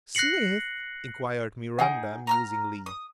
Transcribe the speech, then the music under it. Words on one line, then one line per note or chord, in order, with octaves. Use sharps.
"Smith?" inquired Miranda, musingly.
F#6 A#6 C7 C#7 F#7
D#4 G#4 F#5 G#5
A#5 E6 F6
D#6